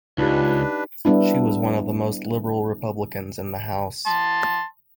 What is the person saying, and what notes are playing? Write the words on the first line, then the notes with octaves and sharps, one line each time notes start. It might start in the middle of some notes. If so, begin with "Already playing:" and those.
She was one of the most liberal Republicans in the House.
C#2 D4 D#4 F4 G4 B4
G3 B3 D4 E4
A5 C6